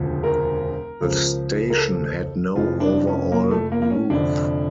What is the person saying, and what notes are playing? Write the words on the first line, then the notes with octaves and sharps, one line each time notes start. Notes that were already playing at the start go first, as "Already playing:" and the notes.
The station had no overall roof.
Already playing: E1 D2 C#3 F3
A#4
C#2 C#3 F3
A#4
A4
F1 F2 E3 F4
D4
C#4
A#3
A3
A#3
A#3
C#4
F1 F2 D3 D4